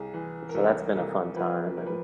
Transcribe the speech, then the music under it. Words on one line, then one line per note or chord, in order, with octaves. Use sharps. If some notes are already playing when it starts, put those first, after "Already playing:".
And so that's been a fun time, and,
Already playing: C2 G#4
E3
A#4
C2 A4
A4
C2 A#4
F3 B4
F3 A#4
B4